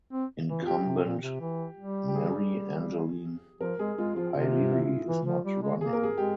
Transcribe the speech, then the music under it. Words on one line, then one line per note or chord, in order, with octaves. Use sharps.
Incumbent Mary Angeline Halili is not running.
C4
E3
F4
G4
C3
A#2
C3
E3
G3
G4
G#4
F3 A#4
G#3 G#4
G#3 F4
F3 F4
C3 F4
F4
E4
F4
E3
F3
G3
G#3
A#3 G#4
A#4
G#4
G#3 G4